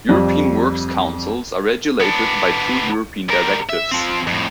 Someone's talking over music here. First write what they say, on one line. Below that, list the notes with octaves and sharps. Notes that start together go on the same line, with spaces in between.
European Works Councils are regulated by two European directives.
F2 G3
B3 D4
G3 A#4
E5
F3 C4
F2 A2